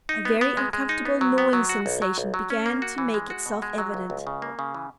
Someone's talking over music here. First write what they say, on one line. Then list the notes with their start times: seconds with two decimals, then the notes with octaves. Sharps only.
A very uncomfortable gnawing sensation began to make itself evident.
0.09 D#4
0.25 B3
0.41 B3
0.57 G#3
0.73 G#3
0.89 D#4
1.05 B3
1.21 F#3
1.38 B3
1.53 F#3
1.69 F#4
1.86 B1
2.02 F#3
2.18 B1
2.34 F#3
2.50 C#4
2.66 A#3
2.82 F#4
2.98 E3
3.14 G#3
3.30 F#4
3.46 B2
3.62 G#3
3.78 F#3
3.94 C#2
4.10 C#2
4.27 C#3
4.42 A#3
4.59 C#3
4.74 E3